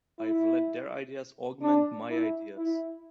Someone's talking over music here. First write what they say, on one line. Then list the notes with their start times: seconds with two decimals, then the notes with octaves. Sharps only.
I've let their ideas augment my ideas.
0.19 E4
1.62 D4
2.09 E4
2.57 E4